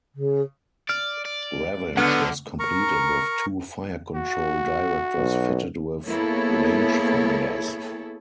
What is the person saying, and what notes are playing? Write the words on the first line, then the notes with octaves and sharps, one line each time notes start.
"Revenge" was completed with two fire-control directors fitted with rangefinders.
C#3
D5 F6
D5
G#2 D3 F#3 B3 F#5 F6
A#4 A#5 C#6
F#4
B1
A#3 B3 E4 G#4 A4 C#5